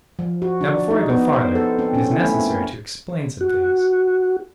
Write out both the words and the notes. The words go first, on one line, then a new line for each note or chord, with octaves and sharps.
Now, before I go farther, it is necessary to explain some things.
F3
F#4
D4
D#4
B3
C5
A4
C4
C#4
E4
A3
A#3
F#4